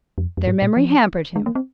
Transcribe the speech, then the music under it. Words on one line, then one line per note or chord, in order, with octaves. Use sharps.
Their memory hampered him.
F2
F2
G#2
A#2
F3
G#3
A#3
C4